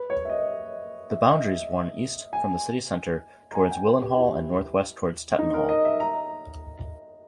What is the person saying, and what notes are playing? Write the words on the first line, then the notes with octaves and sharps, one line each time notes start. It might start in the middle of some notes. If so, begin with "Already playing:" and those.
The boundaries run east from the city centre towards Willenhall and north-west towards Tettenhall.
Already playing: B4
C#5
E5
D#5
E5
D#5
E5
G#5
A#5
G#5
G5
B4
G4
E4
D#4
A#4
D#5
E5
A#5